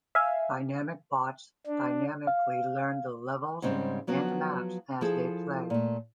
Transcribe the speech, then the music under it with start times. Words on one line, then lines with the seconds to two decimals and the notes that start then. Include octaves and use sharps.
Dynamic bots, dynamically learn the levels and maps as they play.
0.15 E5 F5 G#5
1.67 D4
2.27 F5
3.62 G#2 C#3 G3 C4
4.07 F3 F#3 B3 F#4
5.01 F3 E4 G#4 A4
5.70 A#2 A3